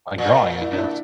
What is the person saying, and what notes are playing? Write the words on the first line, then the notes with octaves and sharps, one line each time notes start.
Like, drawing, I guess.
A#2
E4
D4
E4
D4